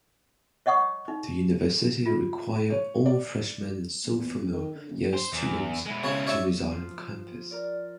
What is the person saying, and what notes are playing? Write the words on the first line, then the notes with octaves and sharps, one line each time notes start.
The university requires all freshman- and sophomore-year students to reside on campus.
C#5 D#5 F#5 C#6 D#6
D#4
F4
C#5
D5
E2
A1
D#3
D3
F#1
C5
E2
G#3 E4
C#3 C#5
C#5 D5 E5
F3
A#4 D5